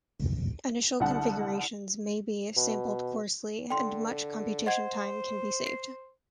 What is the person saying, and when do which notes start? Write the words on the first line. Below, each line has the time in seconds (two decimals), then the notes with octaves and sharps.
Initial configurations may be sampled coarsely, and much computation time can be saved.
1.00 C2 D3 F#5 A5
2.56 B2
3.70 D3 G5 C6
4.66 C5 D#5 F#5 G#6
5.67 C7